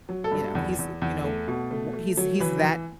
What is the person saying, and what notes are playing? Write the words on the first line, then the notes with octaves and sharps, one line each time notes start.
You know, he's, you know, w he's he's that
F#3
A4
G2
E2
E2
E2
A3
B2
A3
A3
F#3
E3 B4
E3